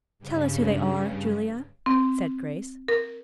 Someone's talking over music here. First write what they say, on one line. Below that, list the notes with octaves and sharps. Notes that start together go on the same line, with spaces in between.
"Tell us who they are, Julia," said Grace.
G2 C#3
C4
A#4